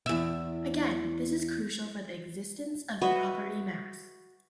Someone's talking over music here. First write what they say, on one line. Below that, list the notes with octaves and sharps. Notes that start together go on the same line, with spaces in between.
Again, this is crucial for the existence of the property "mass".
E2 E5
F#4 B4 D#5 E5